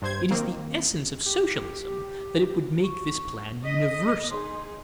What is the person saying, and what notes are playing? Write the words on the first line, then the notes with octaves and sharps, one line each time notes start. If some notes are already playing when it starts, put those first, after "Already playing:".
It is the essence of socialism that it would make this plan universal.
G2 C5 G#6
D#3 A#3 C4
G4
C#6
D#5 B6
D#4 G#4 C6